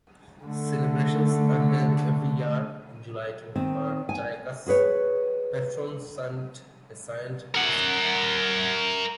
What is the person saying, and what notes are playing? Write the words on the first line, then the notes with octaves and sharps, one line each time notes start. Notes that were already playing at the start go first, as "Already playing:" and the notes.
Celebrations are held every year in July to honor Jayaque's patron saint, Saint Christopher.
D3 A3
D#3 C4
G#5
F#4 G#4 B4 C#5
A#4 F#5